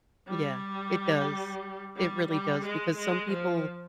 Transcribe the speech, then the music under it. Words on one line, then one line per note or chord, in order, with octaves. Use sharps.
Yeah. It does. It really does, because some people
G3
G3
G3
G#3
G#3
F3